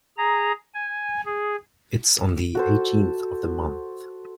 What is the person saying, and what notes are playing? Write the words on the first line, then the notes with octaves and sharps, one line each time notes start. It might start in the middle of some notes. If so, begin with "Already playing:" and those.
It's on the eighteenth of the month.
G#4 A#5
G#5
G#4
F#4 A4 C5